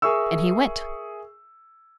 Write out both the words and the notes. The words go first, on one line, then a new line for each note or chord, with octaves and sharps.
And he went.
G#4 A#4 E5 C#6 E6